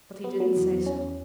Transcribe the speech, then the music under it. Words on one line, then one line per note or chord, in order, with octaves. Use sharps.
But he didn't say so.
B3
F#3
E2
E2
C#4